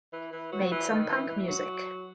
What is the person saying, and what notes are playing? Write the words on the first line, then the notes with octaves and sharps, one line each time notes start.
Made some punk music.
E3
E3
F#3
E3
D#3
E3
E3
F#3